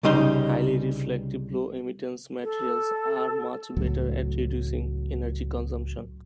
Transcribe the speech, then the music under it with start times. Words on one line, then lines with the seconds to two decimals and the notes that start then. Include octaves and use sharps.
Highly reflective, low-emittance materials are much better at reducing energy consumption.
0.03 C2 C#3 G3 D#4 C6
2.43 A4
3.77 C#2 A2 F#3